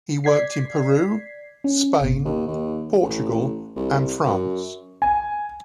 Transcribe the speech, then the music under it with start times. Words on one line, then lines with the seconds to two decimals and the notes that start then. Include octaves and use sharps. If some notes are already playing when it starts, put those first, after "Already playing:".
He worked in Peru, Spain, Portugal and France.
0.24 D5 G#6 B6 C7
1.64 C#4
2.01 G1 B2
2.25 D#2
2.47 D#2
3.01 A1
3.76 C2
4.26 F#2
5.02 G#5